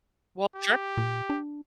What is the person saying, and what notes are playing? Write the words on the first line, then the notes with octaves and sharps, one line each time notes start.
Well, sure.
G4
A#2
D4